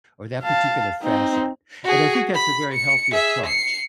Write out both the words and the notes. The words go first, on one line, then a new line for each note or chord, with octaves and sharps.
or that particular facet," and I think that's a very healthy approach,
F5 A5
C4 D#4
F#4 G#4
B5
C#7
G#4 E5
C7 C#7